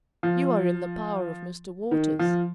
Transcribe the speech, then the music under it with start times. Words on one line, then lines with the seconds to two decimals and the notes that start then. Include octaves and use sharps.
"You are in the power of Mr. Waters."
0.23 F3
1.91 D#3
2.19 F3